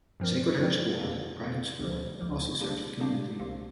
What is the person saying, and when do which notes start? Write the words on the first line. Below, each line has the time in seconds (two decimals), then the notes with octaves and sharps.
Sacred Heart School, a private school, also serves the community.
0.20 G2 F3 C4 A#4 D5
0.59 G2 F3 C4 A#4 D5
1.00 F2 D3 A#3
1.40 F2 D3 A#3
1.80 D2 D3 F3
2.20 D2 D3 F3
2.60 C3 G3 A#3 D4 G4
3.00 C3 G3 A#3 D4 G4
3.40 C2 C3 A#3